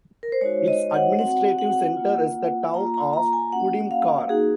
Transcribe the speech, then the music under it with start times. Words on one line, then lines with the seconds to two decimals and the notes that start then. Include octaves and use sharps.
Its administrative center is the town of Kudymkar.
0.23 A#4
0.32 C5
0.41 G#3 D#4 F#4 C#5
0.68 D#5
0.94 F#5
1.19 C4 F#4 F#5
1.58 F#5
1.97 A#3 F4
2.74 A#3 F4 A#5
2.94 A#5
3.13 A#5
3.33 G#5
3.52 A#3 C#4 F#4 F#5
3.91 F5
4.29 A#3 D#4 F#4 G#4